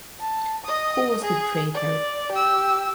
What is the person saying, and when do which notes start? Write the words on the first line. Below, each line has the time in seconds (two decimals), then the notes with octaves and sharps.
Who was the traitor?
0.20 A5
0.64 D#5 D#6
1.22 G#4
1.74 D5
2.32 G4 E6